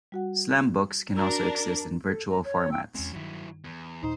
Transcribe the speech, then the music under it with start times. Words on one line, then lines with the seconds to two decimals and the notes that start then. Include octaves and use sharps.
Slam books can also exist in virtual formats.
0.12 G3 F#4 F#5
1.17 D4 F#4 A#4 A#5 E6
2.06 A4
2.28 A#5
2.44 C#5
2.71 G5 E6
2.95 E2 G#3 C4 C#4
3.13 G2 D#3 F#3 E4
3.64 E2
4.03 D#2 A#2 D#4 C5